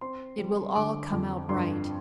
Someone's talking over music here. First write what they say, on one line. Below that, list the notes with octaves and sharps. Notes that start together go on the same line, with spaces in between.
It will all come out right.
C4 C6
G3
D3 D6
F2
G2 C6